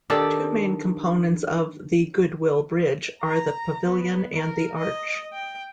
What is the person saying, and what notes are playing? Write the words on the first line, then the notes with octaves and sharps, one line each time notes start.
Two main components of The Goodwill Bridge are the pavilion and the arch.
D#3 D4 G4 A4
A#5
B3
A#4
D#5
G5